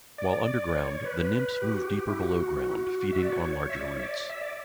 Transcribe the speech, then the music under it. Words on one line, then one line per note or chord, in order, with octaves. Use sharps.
While underground, the nymphs move deeper below ground, feeding on larger roots.
D5
C#5
B4
G4
F#4
G4
E4
F#4
E4
F#4
E5
D5
C#5
E5
D5
C#5
E5
D5
E5
D5